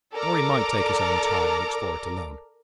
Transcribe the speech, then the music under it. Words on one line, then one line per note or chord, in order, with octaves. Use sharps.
Or he might take his own time, and explore it alone.
A4 A#4 D5 A#5 D6